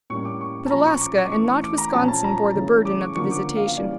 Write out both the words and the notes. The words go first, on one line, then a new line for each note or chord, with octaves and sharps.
But Alaska and not Wisconsin bore the burden of the visitation.
A2 G3 A#3 C#4 C#6
D6
C#6
A5
A#2 F3 C#4 A#5
C#6
D6
C#6
D6
E3 A3 C#4 C#6
D6
A#5
A#2 F3 C#4 A5
A5
A#5
C#3 E3 A3 C#4
D6
C#6
D3 F3 A#3 C#4 C#6
D6
F5
F5
E3 G3 C#4 D5